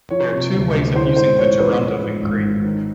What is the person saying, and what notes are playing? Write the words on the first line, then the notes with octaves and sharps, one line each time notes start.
There are two ways of using the gerundive in Greek.
F3 C#5
C3
D2
D2
E3 C5
G#2 C5
A1 C#5
A1 B4
F3
G#2
G#1
G#1
D#3